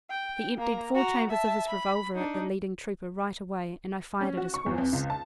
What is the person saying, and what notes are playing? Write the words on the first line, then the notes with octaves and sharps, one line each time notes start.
He emptied four chambers of his revolver at the leading trooper right away, and I fired at his horse.
G5
A#3 A#5
F#4 A#5
E5 A5
B5
D4 D#4
C#4
F#4
C#6
E2
F2
C#2
A5